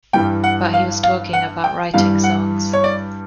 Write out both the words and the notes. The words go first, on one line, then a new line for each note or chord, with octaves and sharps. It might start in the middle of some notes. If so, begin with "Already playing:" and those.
But he was talking about writing songs.
G2 E3 G3 G5
F#5
F5
F5
F#5
G5
G2 E3 G3 F5
F#5
C#5
D5